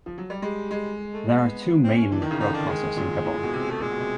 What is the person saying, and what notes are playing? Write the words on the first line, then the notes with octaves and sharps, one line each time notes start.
There are two main broadcasters in Gabon.
F3
F#3
G3
G3 G#3
G#3
A3
B3
C4
C#4
E3 D4
D#3
C#3 D#4
D3 D#4
D#3 D4
G#3
A#2
A2
A#2
B2
C3
A3
A#2 G#3
B2
C3